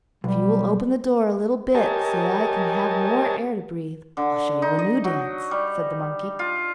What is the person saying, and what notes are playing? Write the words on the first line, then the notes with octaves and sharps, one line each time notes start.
"If you will open the door a little bit so that I can have more air to breathe I'll show you a new dance," said the monkey.
B1 G3
G4 A#4 C#5 D#5 G#5 A5
D3
D#4
D#5
F#3
G3
F4